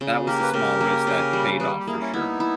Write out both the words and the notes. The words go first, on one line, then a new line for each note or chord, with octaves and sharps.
that was a small risk that paid off for sure.
C#3
A#3 G4 A#4
B4
C#3 G4 A#4
A#3
C#3
G3
G3 G#4 B4
G4
A#3 E4 G#4
C#4 E4
B3 D#4 E4
E4